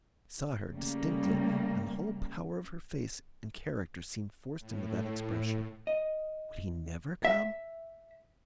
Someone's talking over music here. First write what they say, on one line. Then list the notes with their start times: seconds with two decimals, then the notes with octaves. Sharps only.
I saw her, distinctly, and the whole power of her face and character seemed forced into that expression.---Would he never come?
0.71 C#3 G3 A3 A#3
4.59 A2
5.87 D#5
7.25 E5